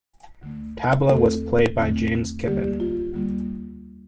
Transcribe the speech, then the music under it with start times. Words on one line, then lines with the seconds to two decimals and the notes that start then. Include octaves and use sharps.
Tabla was played by James Kippen.
0.41 D2 D3 A3
1.10 E2 D3 A3 C4 A4
1.78 E2 D3 A3 C4
2.46 D2 D3 G3 A#3 G4
2.80 F4
3.13 D2 D3 G3 A#3